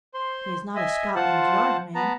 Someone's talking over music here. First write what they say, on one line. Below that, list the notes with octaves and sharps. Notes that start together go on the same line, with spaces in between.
He is not a Scotland Yard man.
C5 C6
D#5 E5 G#5
F4 C5 F#5 A5
B3 B4 A5 A#5